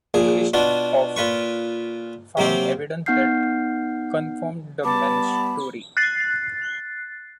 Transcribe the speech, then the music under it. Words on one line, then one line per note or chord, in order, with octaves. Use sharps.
Kristof found evidence that confirmed the man's story.
A#1 A#2 G#4
B2 D4 F4 F#4
A#2 F4 B4 C#6
C3 F#3 A#3 C4 G4 C6
B3 D#4 F#5 F6 G6 C7
G3 B3 A5 B5 D6
F#6 A6 C7